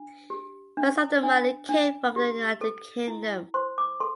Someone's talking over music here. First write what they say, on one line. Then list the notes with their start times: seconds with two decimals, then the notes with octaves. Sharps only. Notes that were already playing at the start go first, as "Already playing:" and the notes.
Most of the money came from the United Kingdom.
Already playing: D4
0.30 G4
0.77 D4
1.23 D4
1.69 D4
2.16 G4
2.61 A4
3.08 E4
3.54 C5 C6
3.78 D6
4.00 A4 C6